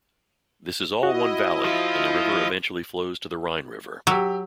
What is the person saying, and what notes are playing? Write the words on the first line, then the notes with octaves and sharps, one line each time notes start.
This is all one valley and the river eventually flows to the Rhine river.
E4 F#4 D#5
F3 F4
F#3 G4 E6